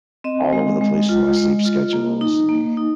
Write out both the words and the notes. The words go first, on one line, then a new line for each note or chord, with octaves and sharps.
All over the place with my sleep schedules and
C4 D#5
G#3
G#3
F4
G#3
F4
A#3
D#4
A#3
D#4